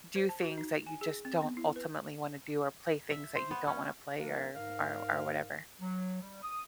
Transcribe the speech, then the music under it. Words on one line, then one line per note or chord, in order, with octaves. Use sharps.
do things that you just don't ultimately wanna do, or play things that you don't wanna play or or or whatever?
C5
A5
F#4
D#4
G#5
G#4
C4
B3
E4
B4
E5
C5
B3
C#4
F3 A#3 D4 D#4 A#4 F5
G#2 A#4 F5
F#3
G3
D#6